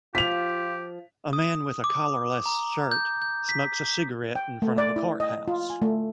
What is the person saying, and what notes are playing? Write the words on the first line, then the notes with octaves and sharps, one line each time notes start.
A man with a collarless shirt smokes a cigarette in front of a courthouse.
F3 F4 G4 B6 F7
D#6
D6
A#5
G6
G6
B6
G5
A3
D5
E4
D#5
F4
G#5
A3